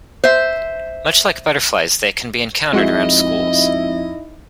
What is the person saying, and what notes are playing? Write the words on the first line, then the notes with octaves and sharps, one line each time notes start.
Much like butterflies, they can be encountered around schools.
C5 E5
F2 G#3 D#4 E4 F#4 D#5 E5